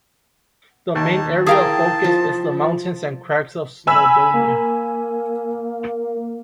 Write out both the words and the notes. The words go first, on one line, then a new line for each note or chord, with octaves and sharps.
The main area of focus is the mountains and crags of Snowdonia.
D#2 A5
E4 G#4 A#4 F5 G5 A5
F3
G#5 B5 E6
A#3